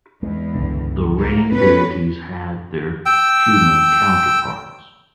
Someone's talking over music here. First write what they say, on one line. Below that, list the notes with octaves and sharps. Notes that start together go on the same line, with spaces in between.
The rain deities had their human counterparts.
E2 G#3
G1 C#2 D3
A#3
B3 C#4 B4
G5 E6